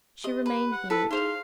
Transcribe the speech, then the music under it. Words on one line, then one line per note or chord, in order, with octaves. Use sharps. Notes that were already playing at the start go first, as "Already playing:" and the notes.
She remained mute.
G4 D#5
B4
F#5
E4 A4 B4 E6
D#4 G#4 C5 F5 C6 F7